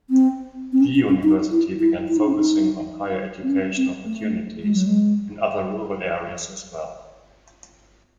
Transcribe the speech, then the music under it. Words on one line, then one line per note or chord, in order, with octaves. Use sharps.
The university began focusing on higher education opportunities in other rural areas as well.
C4
C4
C#4
C#4
C#4
D#4
E4
E4
E4
D#4
C#4
D#4
C4
C#4
C4
A3
G#3
F#3
G#3